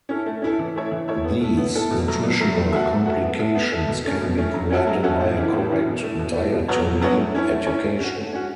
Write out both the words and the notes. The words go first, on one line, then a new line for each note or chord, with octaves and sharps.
These nutritional complications can be prevented by a correct dietary education.
C#4 E4 A4
A3
C#4 E4 A4
E3
A3 E4 C#5 E5
E3
A3 E4 C#5 E5
B3
E4 A4
B3
E4 A4
B2
F#3 A3
B2
F#3 A3
A3
F#4 A4 E5
A3
F#4 A4 E5
B3
A4 E5
B3
A4 E5
B2
A3 C#4
B2
A3 C#4
F#3
C#4 F#4 A4 E5
F#3
C#4 F#4 A4 E5
A2
E3 C#4 E4
A2
E3 C#4 E4
B2
A3 E4
B2
A3 E4
B2
F#3 B3 F#4 C#5
B2
F#3 B3 F#4 C#5
A3
C#4 E4 C#5
A3
C#4 E4 C#5
A3
C#4 F#4
A3
C#4 F#4